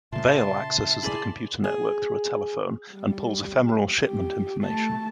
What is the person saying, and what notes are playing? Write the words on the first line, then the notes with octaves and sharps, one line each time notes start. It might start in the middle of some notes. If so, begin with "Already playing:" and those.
Vale accesses the computer network through a telephone and pulls ephemerol shipment information.
A#2 C#3 E5 A5 C6
E4 G#4 D5
G#4
G3
G4
A3 A5